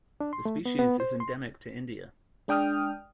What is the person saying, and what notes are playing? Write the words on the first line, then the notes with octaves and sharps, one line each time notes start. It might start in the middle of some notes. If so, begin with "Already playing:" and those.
The species is endemic to India.
D4
C6
A3
B3
B3
C5
C6
G#3 D4 G5 D#6 F6